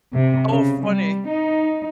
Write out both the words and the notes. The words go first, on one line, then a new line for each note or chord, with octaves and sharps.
Oh, funny.
C3
C#3
G3
D#4